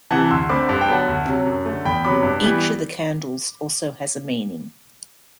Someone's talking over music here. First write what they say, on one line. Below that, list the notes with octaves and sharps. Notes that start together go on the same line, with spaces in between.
Each of the candles also has a meaning.
C3 E3 F#5 A5
D2 C6 E6
D3 A3 C4 B5 D6
G2 A5
G5
D3 F#3 B3 F#5 A5
D2
C3 F#3
F#2
D3 A3
E2 G5 B5
C3 F#3 B3 B5 D6
G2
E3 G3 B3